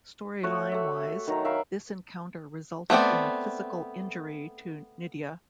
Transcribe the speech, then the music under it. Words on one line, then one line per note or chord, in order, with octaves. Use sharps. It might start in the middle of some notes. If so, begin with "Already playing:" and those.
Storyline-wise, this encounter resulted in a physical 'injury' to Nidia.
A3 F#4 C#5
A3 G4 E5
D#3 F#3 A#5
A#4 E5 F5 B5
A3 B3 C4 D5